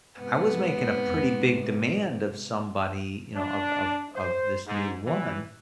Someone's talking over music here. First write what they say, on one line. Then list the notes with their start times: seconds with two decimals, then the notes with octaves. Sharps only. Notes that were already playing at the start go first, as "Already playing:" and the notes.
I was making a pretty big demand of somebody, you know, of of of this new woman
0.17 G#2 C3 B3
3.35 D4
4.15 C5
4.67 G#2
5.05 E3